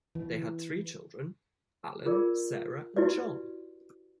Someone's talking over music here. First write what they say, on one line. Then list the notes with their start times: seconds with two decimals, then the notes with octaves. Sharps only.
They had three children: Alan, Sarah, and John.
0.15 E3
2.06 F4 G#4 A#4 D5
2.96 E4 F#4 G4 B4 D5